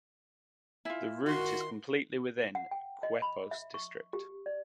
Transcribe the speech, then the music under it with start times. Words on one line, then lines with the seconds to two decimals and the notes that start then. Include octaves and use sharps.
The route is completely within Quepos district.
0.85 E4 F4 G#5
1.26 D#3 F#4 C6
2.55 F#5
2.71 G5
3.03 D#5
3.22 B5
3.51 E5
3.74 C#6
4.13 G4
4.46 D5